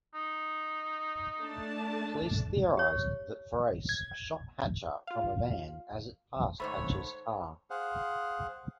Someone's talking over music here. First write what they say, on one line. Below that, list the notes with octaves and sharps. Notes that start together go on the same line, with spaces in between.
Police theorized that Farace shot Hatcher from a van as it passed Hatcher's car.
D#4
A3 D4 A5
G4 C#5
G#6
F4 F5
G#2 D#3 A3 C5 C#5 B5
G#4 C5 F5 F#5